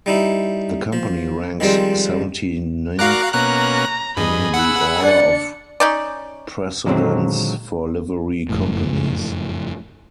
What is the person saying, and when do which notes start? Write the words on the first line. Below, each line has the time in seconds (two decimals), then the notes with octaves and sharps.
The Company ranks seventy-ninth in the order of precedence for Livery Companies.
0.06 G3 D#4 E4
0.93 F3
1.60 D#3 F3 G3 G#3 C4
2.99 F#4 A#4 D5 F5 A#5 F#6
3.34 B2 A#3 C#4 A#5 F#6
4.17 G2 G#4 D#5 B5
4.54 F#5 B5 E6
5.03 D4 D5 C#7
5.80 C#4 D#4 D5
6.86 A#2 D3 D#3 F#3 G#3 C4
8.49 F#1 F2 A2